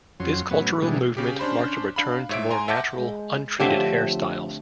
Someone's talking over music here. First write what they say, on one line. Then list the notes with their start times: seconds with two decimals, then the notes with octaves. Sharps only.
This cultural movement marked a return to more natural, untreated hairstyles.
0.20 F2 F#3 C#4 C6
0.51 A2 F#3 B3 C#4
0.82 B2 E3 G3 G#3 D4
1.17 C#3 G4
1.39 C#4 D4 C5 B5
1.96 D4 F5 B5
2.29 G#2 C#5 E5 D7
2.51 G#5 A#5 C6
2.68 E5 F#5 A5 D6 G6 A#6
2.98 G#3
3.60 D3 F3 A3 C4 G4 C#5 F5